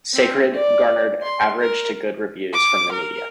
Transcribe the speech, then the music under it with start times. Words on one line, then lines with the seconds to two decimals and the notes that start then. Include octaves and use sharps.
"Sacred" garnered average to good reviews from the media.
0.14 C4
0.54 D5
1.22 C6
1.60 A#4
2.53 D6
2.92 A#4